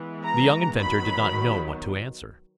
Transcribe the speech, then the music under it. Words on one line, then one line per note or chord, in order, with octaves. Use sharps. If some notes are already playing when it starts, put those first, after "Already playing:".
The young inventor did not know what to answer.
Already playing: E3 G#3 B3
A#5
D#3 F#3 B3 B5